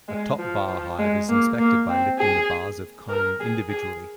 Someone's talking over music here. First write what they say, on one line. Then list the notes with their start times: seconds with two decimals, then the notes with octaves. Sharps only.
A top-bar hive is inspected by lifting the bars of comb individually.
0.08 G#3
0.39 F3
0.68 F3
0.99 G#3
1.29 A#3
1.59 A#3
1.89 C4
2.19 G#4
3.09 A#4
3.40 G#4
3.70 G#4